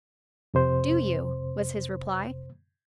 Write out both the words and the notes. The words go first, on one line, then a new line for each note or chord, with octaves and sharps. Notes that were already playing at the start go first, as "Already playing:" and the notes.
"Do you?" was his reply.
F2 C3 C5